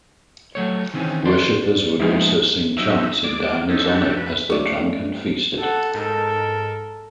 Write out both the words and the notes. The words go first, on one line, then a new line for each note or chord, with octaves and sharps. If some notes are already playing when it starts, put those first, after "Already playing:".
Worshippers would also sing chants in Diana's honour as they drank and feasted.
F#3 A3 C#5
D#3 E3 C4 C#4
B4 D5 C6
F3 G#3 A#3 B3 D#4 E4
F#3 D#4 E5
G#3 D5 D6
C4 C#4 D#4 E4 A4
D4 F#4 G4 A4
F2 B4
C#2 F#3 A3 C#5 D5
A4 F#5
G#2 A4 A#4